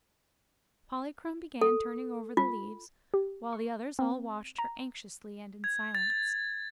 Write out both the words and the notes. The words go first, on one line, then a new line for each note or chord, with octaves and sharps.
Polychrome began turning over the leaves, while the others all watched her anxiously and in silence.
A4
F4
G4
C#6
C4
A#5
G#6
A6
A6